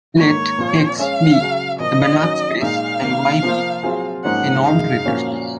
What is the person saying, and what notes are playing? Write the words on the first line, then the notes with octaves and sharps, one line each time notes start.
Let "X" be a Banach space and "Y" be a normed vector space.
G#2 D#3 A#3 C#5
A#2 F3 C4 F4
G#3 C#4 G#4 C#5 F5
C#3 F#3 C#4
A#2 F3 A#3 D#5
D#3 F#3 C#4
A#2 G#3 D#4 F5
C3 D#3 A#3
F3 A#3 F4 C5
F#3 C4 F4 G#4
G#2 F3 A#3 C#4 F#5
F#2 C#3 G#3 D#4 F5
A#2 F3 A#3 C#4 F#4